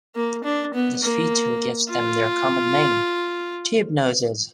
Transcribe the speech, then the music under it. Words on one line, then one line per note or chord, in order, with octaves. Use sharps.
This feature gives them their common name, tubenoses.
A#3
D4
B3
A#3
F4